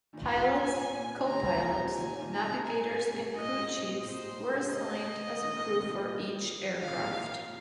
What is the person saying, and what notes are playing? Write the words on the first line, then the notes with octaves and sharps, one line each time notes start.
Pilots, co-pilots, navigators and crew chiefs were assigned as a crew for each aircraft.
A#2 D#3
F4
G#2
C3
A#2 G#5
A#2
C3
A#2 D#3 A#5
A#2 D#3
C3 F3
C3
A#2 D#3 G#5
A#2 D#3
A#5
G#2 C3
A#2 G#5
G#2
G#2 C3
A#2 D#5
G#2
C3
A#2
G#2 C3 C5
G#2
A#2
G#2 C3
D#5
A#2 D#3
C3
D#3
G#2 C3
A#2 D#3
D#3 F5
C3
A#2
G#2 C3
A#2